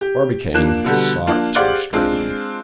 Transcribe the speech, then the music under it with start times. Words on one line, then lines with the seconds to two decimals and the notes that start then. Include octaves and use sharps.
Barbicane sought to restrain them.
0.01 G4
0.54 F3 A#3 D4 F#6 E7
0.84 B2 D3 G3
1.27 F3 A#3 D4 F4
1.55 G4 G#4 C5 D5 F5 F#5
1.93 G#3 C4 D4 F4